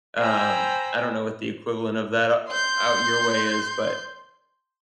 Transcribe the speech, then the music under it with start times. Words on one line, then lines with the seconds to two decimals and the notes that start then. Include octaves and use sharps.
Um, I don't know what the equivalent of that out out your way is, but,
0.18 C5 G5 G#5 A#5 B5 E6
2.49 C6 G6